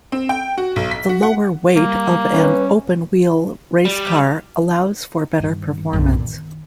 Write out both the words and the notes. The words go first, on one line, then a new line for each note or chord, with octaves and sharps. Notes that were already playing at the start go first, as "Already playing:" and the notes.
The lower weight of an open-wheel racecar allows for better performance.
C4
G5
F#4
B1
B6
F#4
F#5
G3 A#3
C#4 B4
G3
G2 D#3
B1 F#2
A#2 C#3
D#3